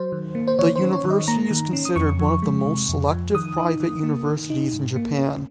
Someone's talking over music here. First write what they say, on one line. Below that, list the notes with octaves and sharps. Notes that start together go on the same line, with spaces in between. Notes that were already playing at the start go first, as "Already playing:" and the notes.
The university is considered one of the most selective private universities in Japan.
Already playing: F#3 C5
D#3
A#3
C5
D#3 C#5
C5
C#4
C#5
D#3
D#5
A#3 A#5
D#3
C#4
D#6
F2 C#6
F3
G#3
C3
F2
F3
D#3 D#6
D#4
D#3
A#3
D#3
D#4
G#2
A#3
C#4